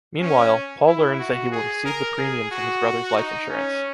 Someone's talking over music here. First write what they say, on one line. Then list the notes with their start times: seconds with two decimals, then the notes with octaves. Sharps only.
Meanwhile, Paul learns that he will receive the premium from his brother’s life insurance.
0.21 C#4
0.87 E4
1.19 F#4
1.52 G#4
1.86 A#4
2.18 G#4
2.51 F#4
3.17 D#4
3.50 C#4